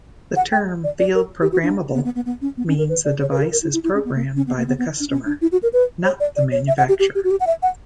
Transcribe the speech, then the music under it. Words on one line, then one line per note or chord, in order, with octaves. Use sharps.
The term "field-programmable" means the device is programmed by the customer, not the manufacturer.
F#5
G5
D5
D5
A#4
G4
F#4
D4
B3
B3
B3
B3
C#4
B3
C#4
A#4
B4
D5
C#5
B4
G4
A#4
A#4
E4
E4
E4
C#4
B3
A#3
C#4
B3
A#3
B3
B3
D4
C#4
D4
E4
F#4
A#4
B4
C#5
D5
D5
C#5
E5
F#5
G4
G4
G4
F#4
G4
F#5
E5
F#5